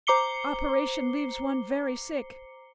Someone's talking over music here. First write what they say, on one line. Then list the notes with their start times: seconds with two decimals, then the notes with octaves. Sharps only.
Operation leaves one very sick.
0.07 C5 A#5 D6 C7 C#7 G7